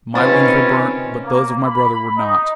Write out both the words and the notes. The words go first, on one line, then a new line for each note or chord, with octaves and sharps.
My wings were burnt, but those of my brother were not....
C3 D#3 C4 C#4 F4 B4 B5 A6
A#3
B5
D#4